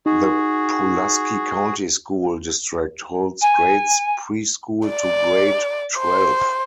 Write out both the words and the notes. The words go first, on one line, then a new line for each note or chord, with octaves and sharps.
The Pulaski County School District holds grades pre-school to grade twelve.
D#4 F#4 G#4
G#5
D5
C5